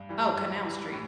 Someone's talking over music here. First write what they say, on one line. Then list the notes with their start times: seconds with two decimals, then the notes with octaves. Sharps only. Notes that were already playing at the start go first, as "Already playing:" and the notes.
Oh, Canal Street.
Already playing: G2
0.09 E3 G3
0.36 G2
0.65 E3 G3
0.92 A2